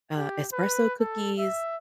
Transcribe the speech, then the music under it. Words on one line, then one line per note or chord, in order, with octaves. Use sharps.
uh, espresso cookies,
G4
B4
A4
E5